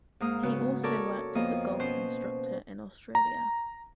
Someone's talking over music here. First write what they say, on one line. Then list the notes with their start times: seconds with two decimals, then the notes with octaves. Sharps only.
He also worked as a golf instructor in Australia.
0.20 G#2 A#3 D#6 F6
0.43 C#3 B3 F#4
0.83 A4 A#4 C#5 D5
1.35 F2 A#3 B3 D#5
1.79 B2 C#4 C5
3.15 A#5